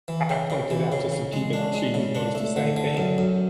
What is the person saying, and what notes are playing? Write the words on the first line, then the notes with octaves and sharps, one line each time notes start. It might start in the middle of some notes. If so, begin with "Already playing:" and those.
I pointed out to some people and I'm sure you've noticed the same thing.
E3
C#3
C#3
E3
C#3
C#3
G#3
D4
G#3
C#3
D4
A3
D3
D3
F#2
F#2